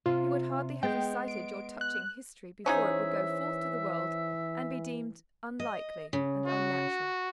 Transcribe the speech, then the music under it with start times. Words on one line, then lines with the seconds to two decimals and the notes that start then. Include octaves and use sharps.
You would hardly have recited your touching history before it would go forth to the world, and be deemed unlikely and unnatural.
0.06 C3 F4
0.83 G#3 B3 G5
1.28 D7
1.81 F#6
2.66 E3 C#4 D#4 G#4 C5 C#5 E5
5.60 D#5
6.13 C#3
6.46 F#4